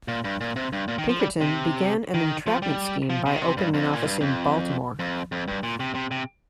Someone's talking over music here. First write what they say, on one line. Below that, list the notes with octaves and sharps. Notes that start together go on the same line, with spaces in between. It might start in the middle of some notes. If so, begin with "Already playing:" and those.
Pinkerton began an entrapment scheme by opening an office in Baltimore.
A#2
G2
A#2
C3
G2
A#2
D#3
F3
G3
C3
D#3
F3
G3
F3
C3
D#3
C3
G2
F2
A#2
G2
F2
F2
F2
G2
A#2
C3
C3
C3